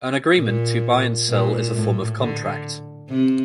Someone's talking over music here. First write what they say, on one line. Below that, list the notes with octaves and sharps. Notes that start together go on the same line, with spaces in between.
An agreement to buy and sell is a form of contract.
A#2
A#2
A2
D3
C3